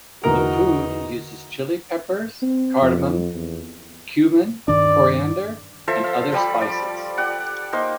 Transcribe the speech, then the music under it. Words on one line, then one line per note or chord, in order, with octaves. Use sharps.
The food uses chili peppers, cardamom, cumin, coriander and other spices.
E2 D3 A3 D#4 F#4 A#4
C4
F2
E2
G2 D#3 D4 D5
F3 A4 C5 E5
F5
F3 G3 G4 B5
D5
G4 D5 F#5
A#3 D#4 C5